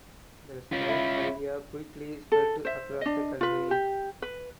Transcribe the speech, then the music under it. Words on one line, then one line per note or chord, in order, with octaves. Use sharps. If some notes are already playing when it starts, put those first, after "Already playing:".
The Scout idea quickly spread across the country.
C#4 F4
E4
A4
C5 E5
D4 D#5
F4 B4
G4
B4